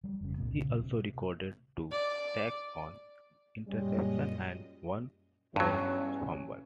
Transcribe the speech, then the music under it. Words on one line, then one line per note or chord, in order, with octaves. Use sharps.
He also recorded two sacks, one interception and one forced fumble.
F#3 G3
F1 C#3
C2 A#2 B3
C#3
D1 A#2 F#3
C3
D5
F#2 A#2 G3 G#3 C#4 D#5
E2 G2 F#3 G3 C#4